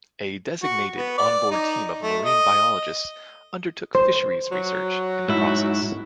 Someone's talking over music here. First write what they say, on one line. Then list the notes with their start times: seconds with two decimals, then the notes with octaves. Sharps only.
A designated onboard team of marine biologists undertook fisheries research in the process.
0.63 F#4
0.97 B3
1.18 D5
1.51 D#4
2.03 A3
2.25 D#5
3.95 C5
4.51 F#3
5.28 G#2 E4